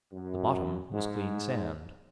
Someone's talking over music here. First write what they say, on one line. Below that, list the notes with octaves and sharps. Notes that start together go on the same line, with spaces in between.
The bottom was clean sand.
F#2
G#2